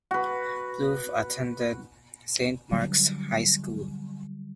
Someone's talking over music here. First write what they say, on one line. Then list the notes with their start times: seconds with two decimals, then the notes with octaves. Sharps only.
Plouffe attended Saint Mark's High School.
0.11 F#4 B4
2.72 D3 F#3 G3